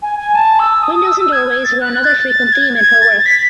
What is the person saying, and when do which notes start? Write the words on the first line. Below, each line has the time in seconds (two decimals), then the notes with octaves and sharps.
Windows and doorways were another frequent theme in her work.
0.02 G#5
0.19 G#5
0.35 A5
0.59 E6
0.83 D#6
0.95 D#6
1.07 E6
1.19 E6
1.32 G#6
1.64 A6
1.81 F#6
2.04 A6
2.29 A6
2.53 G#6
2.77 G#6
3.01 A6
3.19 A6
3.26 B6